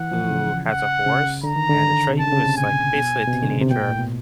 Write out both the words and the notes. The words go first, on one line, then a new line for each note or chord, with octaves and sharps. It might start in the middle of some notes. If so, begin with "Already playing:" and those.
who has a horse. And Atreyu is, like, basically a teenager,
Already playing: E3 F#5
F3
C#3
F#5
C#3
D3 A#5
D#3
D3
C3
C#3 A5
D3
C#3
C3
A#2 G#5
B2
B2
C3
D3
C#3
C3
B2 G5
A#2
A2
B2